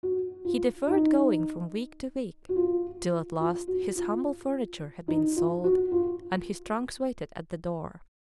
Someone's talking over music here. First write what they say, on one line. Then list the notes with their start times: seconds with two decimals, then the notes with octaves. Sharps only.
He deferred going from week to week, till at last his humble furniture had been sold, and his trunks waited at the door.
0.03 F#4
0.45 F4
0.87 D#4
2.49 F#4
2.56 F4
3.40 F4
3.68 F#4
3.96 F4
5.08 D#4
5.36 F4
5.64 F#4
5.92 F4